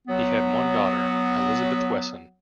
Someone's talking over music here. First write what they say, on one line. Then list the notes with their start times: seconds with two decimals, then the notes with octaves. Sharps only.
He had one daughter, Elizabeth Wesson.
0.08 F#3 B3